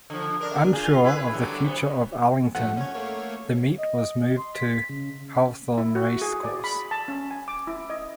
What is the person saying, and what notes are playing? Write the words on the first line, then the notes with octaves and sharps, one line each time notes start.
Unsure of the future of Arlington, the meet was moved to Hawthorne Race Course.
D3 F3
D4 A#4
F4 G#4
E4 G#4 B4
D3 F#3 G3
C3 B3
G2 F3 A3 F#5
C#4 C#5
A3 A#3 C#5
D#5
C6
B6
C#3
E4
F#4
G#4
D5
B5
A5
C#4
G#5
D6
E4
D#5